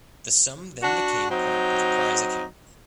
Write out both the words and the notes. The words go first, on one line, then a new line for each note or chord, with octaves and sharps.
The sum then became part of the prize account.
D4 F#4
F#3 C4 D#4